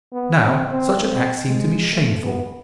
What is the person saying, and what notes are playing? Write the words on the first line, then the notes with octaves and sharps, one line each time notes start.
Now, such an act seemed to me shameful.
B3
C4
C4
C4
G#3
A3
B3